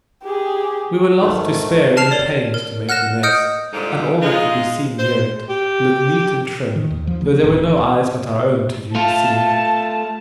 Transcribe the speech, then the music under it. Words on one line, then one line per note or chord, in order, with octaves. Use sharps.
We were loth to spare any pains to make The Nest, and all that could be seen near it, look neat and trim, though there were no eyes but our own to view the scene.
G4 G#4
G#2 D#3 A3
A5 F6 C7 F7
A#4 C#5 D5
A#4
F#5 F6 F#6 A#6 E7
D#5 D#6 F6 G6 C#7 D7
A#2 D3 F3 G3 G#3 D#4
G#3 D#4 F4
C5
G4
D#3
D#2
F3
D2
D1
A3 F4 A5